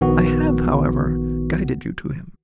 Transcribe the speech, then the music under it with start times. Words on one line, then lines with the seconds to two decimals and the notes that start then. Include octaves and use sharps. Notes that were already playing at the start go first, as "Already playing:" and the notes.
I have, however, guided you to him.
0.01 A#1 D#3 B3 F#4